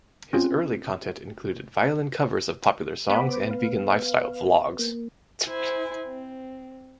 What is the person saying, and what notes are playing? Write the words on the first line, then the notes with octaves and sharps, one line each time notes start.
His early content included violin covers of popular songs and vegan lifestyle vlogs.
C4 C#4 F4
B3 C5 B5 D6
B4 F5
A#3
E4 C5 G#5
C4